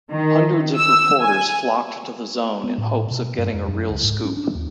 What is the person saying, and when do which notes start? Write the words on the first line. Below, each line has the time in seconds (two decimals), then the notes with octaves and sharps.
Hundreds of reporters flocked to the zone in hopes of getting a real scoop.
0.11 D#3
0.78 E6
1.21 G#5
2.64 B3
2.78 A2
3.11 B2
3.38 G2
3.53 F2
3.67 F#2
3.89 C#2
4.03 G#2
4.24 C#4
4.37 D4
4.55 D#2